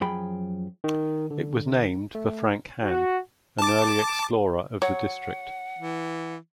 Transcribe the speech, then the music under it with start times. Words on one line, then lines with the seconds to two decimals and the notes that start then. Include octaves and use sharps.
It was named for Frank Hann, an early explorer of the district.
0.01 F#2 F3 F#3 G#4 G5 B5
0.84 D#3
1.30 D3
2.15 A3
2.85 F#4
3.59 A5 D6
4.82 F#3 C#5 F#5
5.78 E3